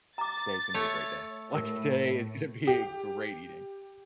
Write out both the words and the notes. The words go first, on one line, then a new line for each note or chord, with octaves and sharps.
"Today's gonna be a great day. Like, today is gonna be great eating."
A#5 D6 A6
A3 C#5
A2 A#4
G4